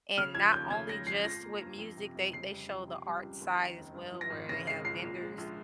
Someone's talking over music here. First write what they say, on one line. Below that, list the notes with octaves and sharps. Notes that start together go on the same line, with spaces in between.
and not only just with music, they they show the art side as well where they have vendors,
C#3 F6
F3 G#6
D#2 G6
C#3 G#6
G#3 A#6
F2 C7
F3 A#6
A#3
G2
F2
C3
F1
C#3 C7
G3
F2
C3
G3
C#2
D#2
D#3
F1
G2
F3
A#6
G#1
C#3 A#6
G#3 C7
C#2 C7
A#2
G#3
A#1